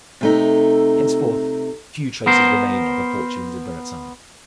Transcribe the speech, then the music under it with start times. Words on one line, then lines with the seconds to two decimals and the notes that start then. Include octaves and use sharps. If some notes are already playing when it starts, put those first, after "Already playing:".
Henceforth few traces remain of the fortunes of Verrazzano.
0.21 C3 A3 D#4
2.26 B3 A#4 C5